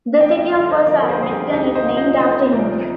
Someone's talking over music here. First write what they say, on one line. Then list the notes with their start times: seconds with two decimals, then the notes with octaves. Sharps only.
The city of Vassar, Michigan is named after him.
0.20 F2 D#5 G5
0.37 D#5 G5
0.54 D3 G3 D5 F5
0.70 C5 D#5
0.86 F2 A#4 D5
1.01 A#4
1.09 G#4 C5
1.21 D3 G3 C5
1.31 G4 A#4
1.53 D2 D#4 G4
1.75 C5 D#5
1.86 C3 F3
1.97 C5 D#5
2.19 D2 C5 D#5
2.52 C3 F3 A#4 D5